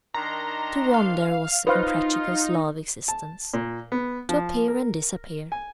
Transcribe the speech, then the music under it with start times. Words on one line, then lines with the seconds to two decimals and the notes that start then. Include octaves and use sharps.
To wander was the Comprachicos' law of existence--to appear and disappear.
0.14 D#3 D4 A#5 C6
0.94 F5
1.67 D#4 F4 B4 C5 F5
3.08 A5
3.54 A#2
3.92 B3
4.29 F3
4.68 A#4
5.52 G#5